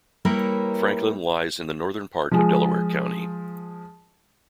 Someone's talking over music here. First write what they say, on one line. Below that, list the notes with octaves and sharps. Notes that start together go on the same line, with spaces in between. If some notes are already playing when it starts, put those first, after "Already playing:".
Franklin lies in the northern part of Delaware County.
G3 A#3 E4 A#4 B4 C#5
F3 G#3